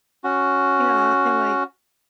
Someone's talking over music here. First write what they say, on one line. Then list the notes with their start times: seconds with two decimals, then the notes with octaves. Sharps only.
Yeah, and, like,
0.24 C#4 F#4